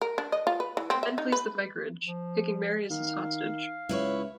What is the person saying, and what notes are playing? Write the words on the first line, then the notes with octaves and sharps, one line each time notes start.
He then flees the vicarage, taking Mary as his hostage.
A#4
D4
D#5
F4
B4
E3
C4
E5
D#4
B4
F3
D#3 F5
C#2 E4 B4 C#5